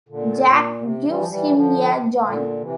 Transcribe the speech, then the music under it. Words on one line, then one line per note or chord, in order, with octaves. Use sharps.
Jack gives him a joint.
A#2 D3
A#2
C3
E3 G3
F3
E3 G3
D3 F3
A#2 D3
C3 E3